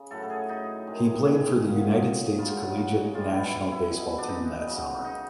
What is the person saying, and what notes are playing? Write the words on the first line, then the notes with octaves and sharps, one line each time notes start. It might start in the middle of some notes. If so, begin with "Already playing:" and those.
He played for the United States collegiate national baseball team that summer.
Already playing: C#3
A2 F#3 A4
A4
G#4
D#4
C3 D#3 G#3
G#4
A#2 F#3
C#3 F#3 F4
F#4
B2 G3 F4
E4
E4
B2 G#3
D4
D#4
C#3 F#3
D#4